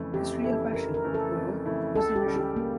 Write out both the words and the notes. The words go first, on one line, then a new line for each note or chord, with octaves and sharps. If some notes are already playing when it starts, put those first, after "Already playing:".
His real passion, however, was the mission.
Already playing: F2 C#3 E3 A3 E4
F2 G4
C#3 E3 A3 E4 A4
F2 A#4
A#4
C#3 E3 A3 E4
A4
F2
C#3 E3 A3 E4
C#2 A4
G4
C#3 G3
G4
A#3